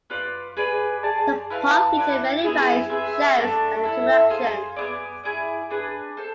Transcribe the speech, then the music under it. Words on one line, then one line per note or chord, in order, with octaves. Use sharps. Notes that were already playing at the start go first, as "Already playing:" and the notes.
The park featured many rides, shows, and attractions.
F4 B4 D5
G#4 B4 D5
G#4 D5 A5
E4 B4 F5 A5
E4 B4 D5
B3 E4 G#4
C4 G#4 B4 E5
A3 D4 A4 D5
E4 A4 E5
F4 G#4 C5
B3 E4 G#4 D5
E4 G#4 D5
D4 G#4 B4
A4 C5